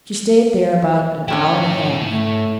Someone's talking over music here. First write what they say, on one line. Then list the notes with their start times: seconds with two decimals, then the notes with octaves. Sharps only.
She stayed there about an hour and a half.
1.28 C#4 E4 F#4 C#5 G5
2.08 A3